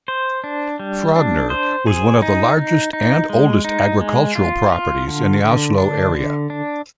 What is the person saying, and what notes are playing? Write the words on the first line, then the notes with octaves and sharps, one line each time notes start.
Frogner was one of the largest and oldest agricultural properties in the Oslo area.
C5
D4
G3
D4
C5
G#4
D#4
D#4
D#4
G#3
D#4
G#3
F4
F4
D3
D3
D4
D3
D4